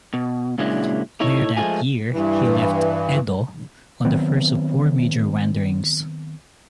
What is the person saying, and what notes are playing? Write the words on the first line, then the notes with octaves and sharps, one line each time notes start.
Later that year he left Edo on the first of four major wanderings.
B2
A#2 C#3 F#3 G#3 D4 E4
A3 D#4 E4 C#5
F3 G#3 A3 F4 F#4 G#5
G2 E3
D#3 F#3 B3 C4